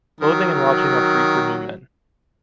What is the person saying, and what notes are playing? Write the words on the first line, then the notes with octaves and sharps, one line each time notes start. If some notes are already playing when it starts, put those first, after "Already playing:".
Clothing and lodging are free for new men.
D#3 F#3